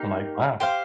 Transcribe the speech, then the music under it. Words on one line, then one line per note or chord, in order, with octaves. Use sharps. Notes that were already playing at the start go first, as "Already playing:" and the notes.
I'm, like, "Wow.
Already playing: A#3 D#4 G4
G4 C5 F5